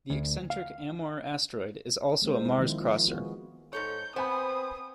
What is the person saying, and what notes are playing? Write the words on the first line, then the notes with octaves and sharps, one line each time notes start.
The eccentric Amor asteroid is also a Mars-crosser.
D2
F5
G#3 A#3 C4 C5
G#3 E4
D#3 F3 A#3 C4 E4
F4
G#3 B3 E4 F#4 G#4
G#2 A4 C#5 G6
B3 C4 C5 G#5 B5 D#6